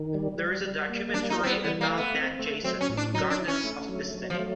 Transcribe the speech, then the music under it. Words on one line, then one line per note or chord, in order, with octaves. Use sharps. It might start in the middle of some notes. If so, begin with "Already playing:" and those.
There is a documentary about Dan Jason: "Gardens of Destiny".
Already playing: D#3
G3
G3
G3
A#3
G3 D4
D#4
G3 C4
B3
E3 B3
A#3
A3
B3
C4
A3
F#3 C4
C#4
A2
D4
F#3 D#4
D4
E4
C#4
A3
F#3
F#3
F3
A3